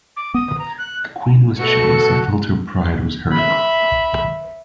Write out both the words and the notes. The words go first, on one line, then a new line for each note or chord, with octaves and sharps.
The Queen was jealous and felt her pride was hurt.
D6
B3 D#6
A#5
F#6
B2 A3 F#4 A4 C#7
E5 B5